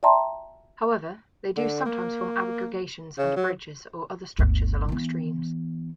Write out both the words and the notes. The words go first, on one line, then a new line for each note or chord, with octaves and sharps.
However, they do sometimes form aggregations under bridges or other structures along streams.
D5 E5 G5 A5 A#5 C6
D3
A#3
C#3
F#3
G1 D2
E3 B3